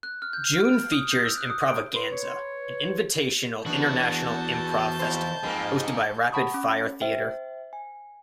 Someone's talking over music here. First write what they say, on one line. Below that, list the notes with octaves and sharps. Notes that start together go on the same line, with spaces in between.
June features Improvaganza, an invitational international improv festival, hosted by Rapid Fire Theatre.
F#6
F6
G6
F6
D7
D#6
G6
E6
F#6
D#6
D7
B4 C6
C#5
E3 B3 D4 F#4 A5 G6
F2 C5
F2 A#3 D#4 G#4
F#5 A5 B5 C#6 D#6
C#4
C5 E5 G5
G#5